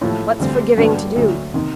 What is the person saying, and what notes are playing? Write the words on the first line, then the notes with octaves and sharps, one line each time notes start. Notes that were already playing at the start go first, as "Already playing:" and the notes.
What's forgiving to do?
A2 F3 A3
D2 D3 G3 C4
G2 D3 F#3 B3 D4
D2 D3 F#3
C3 D#3